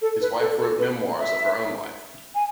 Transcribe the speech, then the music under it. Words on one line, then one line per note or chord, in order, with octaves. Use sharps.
His wife wrote memoirs of her own life.
A4
B4
A4
A4
B4
E5
G#5